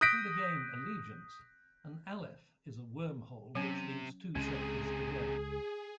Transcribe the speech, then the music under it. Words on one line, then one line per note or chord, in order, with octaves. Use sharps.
In the game "Allegiance" an Aleph is a wormhole which links two sectors together.
D#6 F#6 G6 A#6 B6 D7
C3 F#3 C#4
C#2 C3 G#3 C#4 G#4